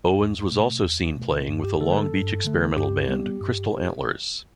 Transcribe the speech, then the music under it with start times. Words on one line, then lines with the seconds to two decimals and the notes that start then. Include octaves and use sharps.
Owens was also seen playing with the Long Beach experimental band Crystal Antlers.
0.20 E2
0.51 B2 A3
0.83 E2
1.16 B2 A3
1.48 G2
1.64 G4
1.81 D3 A3 A4
1.92 B4
1.97 A4
2.13 G2
2.44 D3 A3
2.76 G2 G4
3.09 G3 B3
3.41 G2